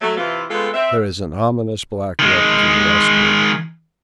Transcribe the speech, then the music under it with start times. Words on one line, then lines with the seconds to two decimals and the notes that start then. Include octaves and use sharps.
There is an ominous black look to the westward.
0.01 F#3 A3
0.17 C3 E3 F4
0.51 G#3 A3 B3 C4 F4 A4
0.74 C4 E5
2.19 D#3 G#3